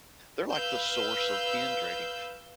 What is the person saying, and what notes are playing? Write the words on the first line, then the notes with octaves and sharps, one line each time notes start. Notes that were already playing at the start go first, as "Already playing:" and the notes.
they're like the source of pin trading.
B4 F5 E6 G6